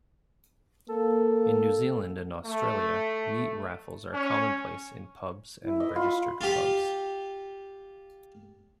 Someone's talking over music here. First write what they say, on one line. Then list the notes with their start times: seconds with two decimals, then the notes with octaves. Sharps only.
In New Zealand and Australia, meat raffles are commonplace in pubs and registered clubs.
0.89 A#3 A4
2.45 A3
4.13 C#4
5.64 E4
5.80 D#5
5.96 F4 B5
6.41 F4 G4